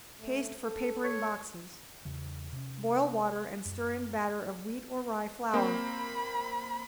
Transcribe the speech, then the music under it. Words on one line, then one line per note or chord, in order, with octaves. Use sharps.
Paste for Papering Boxes.--Boil water and stir in batter of wheat or rye flour.
A3
A4
C#5
E2 C#3 E3
C3 C#4
F#2
A#3 C4 C5 B5